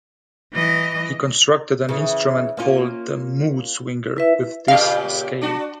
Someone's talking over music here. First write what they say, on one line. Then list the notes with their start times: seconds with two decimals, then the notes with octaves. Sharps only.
He constructed an instrument called the Moodswinger with this scale.
0.53 E3 D#5
1.89 C#3 E3
2.57 A#3 C#4 F4
4.16 E4 B4 E5
4.68 A#2 C#3 G4 F5
5.41 D4 F#4